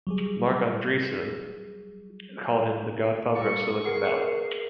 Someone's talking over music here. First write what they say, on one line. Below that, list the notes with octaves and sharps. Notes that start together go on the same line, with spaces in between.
Marc Andreessen called him the godfather of Silicon Valley.
F#3 G3 G#4
G2 A#3 A4 C#6
B3 G#4 A#4 C7